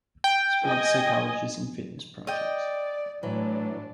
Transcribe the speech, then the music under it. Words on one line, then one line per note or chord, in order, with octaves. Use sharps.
Sports psychologist in fitness projects.
G5
D#5 G#5
D5 D#5 G5
A2 E3 F#3 D4